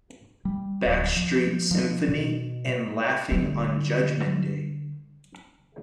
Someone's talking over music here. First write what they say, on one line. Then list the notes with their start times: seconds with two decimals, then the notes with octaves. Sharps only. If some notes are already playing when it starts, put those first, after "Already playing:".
"Backstreet Symphony" and "Laughing on Judgement Day".
0.45 G3
0.86 D1
1.16 F3
1.71 F3
2.09 B2
3.31 D3 G3